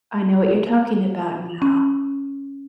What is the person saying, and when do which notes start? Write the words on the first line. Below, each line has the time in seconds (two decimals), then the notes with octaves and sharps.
I know what you're talking about now.
1.62 C#4